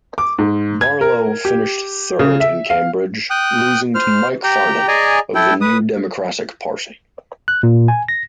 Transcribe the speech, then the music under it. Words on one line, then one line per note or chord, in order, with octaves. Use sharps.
Barlow finished third in Cambridge, losing to Mike Farnan of the New Democratic Party.
D6
G#2
G#6
A#4
G4
C#3
E5
F5
G5 D#6 F#6
C5 F6
G4 G5 A#5
G#4 D5 D#5 G#5 A#5
E4 A4 G5
B4 D#6
F#6
A#2
G#5
A#6